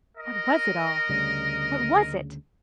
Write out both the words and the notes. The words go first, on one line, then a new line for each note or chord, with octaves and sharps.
What was it all--what was it?
A#4 D#5
D2 C#3 G3